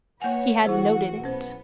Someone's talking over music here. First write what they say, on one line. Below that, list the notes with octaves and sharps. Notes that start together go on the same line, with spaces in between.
He had noted it.
A#3 B4 C#5 F#5 G#5
E3 E4 F#4 G#4 C5
B1 B3 C#4 C5